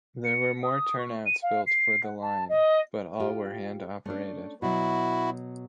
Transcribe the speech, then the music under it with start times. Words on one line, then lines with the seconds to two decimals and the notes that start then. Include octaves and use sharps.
There were more turnouts built for the line but all were hand operated.
0.25 C#7
0.63 D#6
0.98 C#6
1.26 D#7
1.42 F5
1.67 C7
2.03 F#5
2.21 A5
2.49 D#5
3.20 F4 G4
4.06 A3 C#4 D4
4.62 B2 F#3 E4 F#4